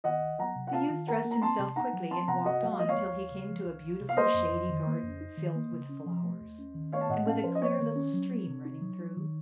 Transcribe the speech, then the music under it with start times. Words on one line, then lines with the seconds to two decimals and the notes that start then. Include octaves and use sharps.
The youth dressed himself quickly and walked on till he came to a beautiful shady garden filled with flowers, and with a clear little stream running through.
0.04 D#3 D#5 F#5
0.21 C2
0.39 F#3 F#5 A#5
0.56 C3
0.67 F#5
0.73 F4 F5 A5
0.90 D#3
1.07 A#4 F#5 A#5
1.25 A#3
1.31 A#5
1.42 C4 A5 C6
1.59 C3
1.76 D#4 F#5 A#5
1.93 F#3
2.11 C4 A5 C6
2.28 C3 F#5 A#5
2.45 F#4 D#5 F#5
2.62 F#3 F#5
2.72 F5
2.79 A3 D#5
2.89 C#5 F5
2.97 D#2
3.14 D#2
3.31 C#3
3.49 F3
3.66 C2
3.83 C2
4.01 C3
4.09 F5
4.17 A#3 C5 D#5
4.34 F2
4.52 F2
4.69 D#3
4.87 A#3
5.03 F2
5.21 D#4
5.37 D#3
5.56 A#3
5.73 C#3
5.89 C#4
6.06 F3
6.23 A3
6.40 D#2
6.59 C#4
6.75 D#3
6.92 A3 C#5 F5
7.01 A5
7.09 A2 D#5 F#5
7.26 C#4 F5 A5
7.44 F3 C5
7.55 D#5
7.62 A#3 C#5
7.79 D#3
7.96 C#4
8.14 F#3
8.31 C4
8.47 C3
8.65 D#4
8.81 F#3
9.00 D#4
9.16 D#3